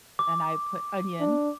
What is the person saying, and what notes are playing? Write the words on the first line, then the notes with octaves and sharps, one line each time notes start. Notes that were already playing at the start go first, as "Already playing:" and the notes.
and I put onion
D6
D4